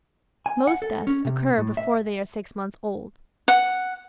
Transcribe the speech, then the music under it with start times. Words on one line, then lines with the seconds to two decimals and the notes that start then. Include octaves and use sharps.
Most deaths occur before they are six months old.
0.46 G#5
0.67 F#5
0.82 A4
1.07 C#4
1.25 C3
1.58 A2
1.77 E5
3.48 F#5